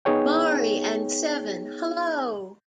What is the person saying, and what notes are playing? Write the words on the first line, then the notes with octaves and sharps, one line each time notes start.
Mari and seven Hello!
B3 D#4 G#4 C#5 G5